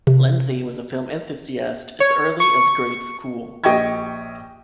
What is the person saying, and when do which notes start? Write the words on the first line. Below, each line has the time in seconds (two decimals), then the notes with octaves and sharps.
Lenzi was a film enthusiast as early as grade school.
0.07 C3
2.00 C#5
2.40 C#6
3.64 A#1 G4 D#5 G5 C#6 G#6